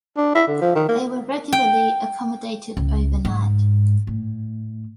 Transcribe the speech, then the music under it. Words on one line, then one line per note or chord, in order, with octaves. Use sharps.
They were regularly accommodated overnight.
D4
E4
D3
F3
D#3
A#3
G5
C#2
G#2
A2